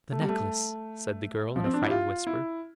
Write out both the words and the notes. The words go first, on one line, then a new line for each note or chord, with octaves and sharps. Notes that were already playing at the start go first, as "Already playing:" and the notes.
"The necklace," said the girl, in a frightened whisper.
A3
G3
A3
F3
C4
D4
E4
G4
F4
E4